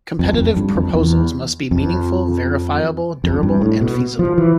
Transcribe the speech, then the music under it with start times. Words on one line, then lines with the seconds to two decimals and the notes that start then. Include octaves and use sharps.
Competitive proposals must be meaningful, verifiable, durable and feasible.
0.19 F2
0.33 E2
0.37 F2
0.57 G2
0.76 F2
0.94 E2
1.71 F2
3.24 F2
3.43 G2
3.61 A2
3.81 B2
4.19 F3
4.38 E3